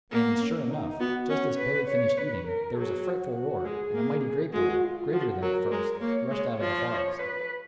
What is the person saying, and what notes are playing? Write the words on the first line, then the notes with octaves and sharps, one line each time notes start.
And, sure enough, just as Billy finished eating, there was a frightful roar, and a mighty great bull, greater than the first, rushed out of the forest.
A#3 B3
C#4
D#4
B3 F#4
C#4
B4
C#5
B4
A#4
F#3 G#4
F#4
F#4
G#3 G#4
A#3
G#3 F#4
F4
F3 F#4
F#3 A#4
G#3
A#3 C#5
G#3
F3
C#5
B4